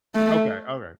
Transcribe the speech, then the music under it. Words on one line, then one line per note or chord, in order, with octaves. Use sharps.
Okay, alright.
A3